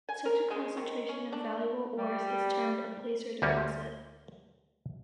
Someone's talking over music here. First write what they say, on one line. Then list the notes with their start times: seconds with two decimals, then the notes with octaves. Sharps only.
Such a concentration of valuable ores is termed a placer deposit.
0.09 G#5
0.25 A#4
0.50 G#3
0.77 D#3
1.08 C#4
1.32 D4
1.98 G3
3.42 D2 G3 A#3 C#4